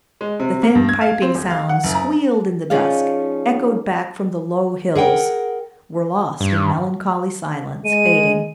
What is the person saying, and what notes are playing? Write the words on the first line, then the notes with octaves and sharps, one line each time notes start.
The thin piping sounds squealed in the dusk, echoed back from the low hills, were lost in melancholy silence, fading.
G#3
C3
A#3
G2
G#6
F5
C4
D1
F5
F#5
F#1
A#5
F3 C#4 D#4 G#4 D5 F5
G#4 A#4 F#5 G5
G2
G#3 D#7